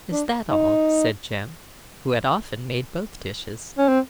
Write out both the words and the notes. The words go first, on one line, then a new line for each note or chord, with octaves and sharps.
'Is that all!' said Jem, who had often made both dishes.
D4
D#4
C#4
C4